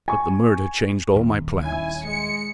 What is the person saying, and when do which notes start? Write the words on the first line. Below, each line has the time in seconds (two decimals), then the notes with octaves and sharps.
But the murder changed all my plans.
0.08 G#5 C#6
1.16 D#1
1.62 C#4 D#4 E4 G#5
2.04 G#3 C#7